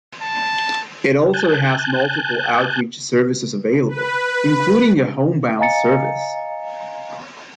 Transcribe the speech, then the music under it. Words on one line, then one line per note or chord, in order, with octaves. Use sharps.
It also has multiple outreach services available, including a homebound service.
A5
G#5 A5 F#6 G6
B4
D#5 F5 G#5 A#5 A6 C#7